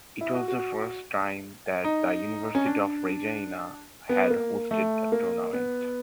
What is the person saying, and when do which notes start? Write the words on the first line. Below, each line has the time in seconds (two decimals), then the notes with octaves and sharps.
It was the first time that the University of Regina had hosted the tournament.
0.21 E4
0.34 F#4
0.48 F#4
1.84 D#4
2.55 C#4
2.66 D4
4.09 B3
4.30 A#3
4.71 A3
5.12 A#3
5.53 B3